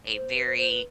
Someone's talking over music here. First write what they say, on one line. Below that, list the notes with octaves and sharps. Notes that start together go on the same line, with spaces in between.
a very
C5
B4
C5
C5
B4